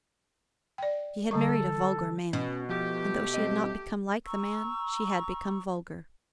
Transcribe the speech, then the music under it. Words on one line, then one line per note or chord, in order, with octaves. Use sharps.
She had married a vulgar man; and, though she had not become like the man, she had become vulgar.
D5 G5
D3 G3 A4 C#6
B2 C#4
F3 A3 G4
G3 C4 D#5
A#5 C#6 E6